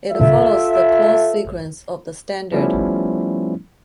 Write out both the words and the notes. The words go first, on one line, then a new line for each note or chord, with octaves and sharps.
It follows the clause sequence of the Standard.
F4 A4 E5
F3 G3 A3 B3 C#4 E4